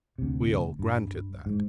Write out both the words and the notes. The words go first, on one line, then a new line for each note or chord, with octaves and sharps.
We all granted that.
D2 C3
G2
G#2